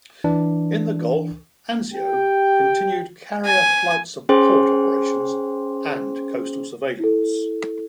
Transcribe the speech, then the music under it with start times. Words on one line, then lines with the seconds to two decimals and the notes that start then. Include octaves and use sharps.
In the Gulf, "Anzio" continued carrier-flight support operations and coastal surveillance.
0.24 E3 D4
1.94 G4 G5
3.45 G#5
4.29 C#4 G#4 C5 G5 C6
7.00 E4 A4